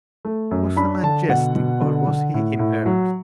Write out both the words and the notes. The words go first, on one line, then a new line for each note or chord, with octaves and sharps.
Was the man jesting, or was he in earnest?
A3
F#2
D4 B5
D3 A5
B2 F#5
B2
D3
D3
A2
A2
F#3